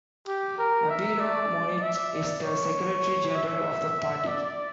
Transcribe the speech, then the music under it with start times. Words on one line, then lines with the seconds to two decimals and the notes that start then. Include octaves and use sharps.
Nabila Mounib is the secretary-general of the party.
0.28 G4
0.58 A#4
0.90 E5
1.20 D5
1.82 E5
2.12 D5
2.43 C#5
3.36 E5
4.27 D5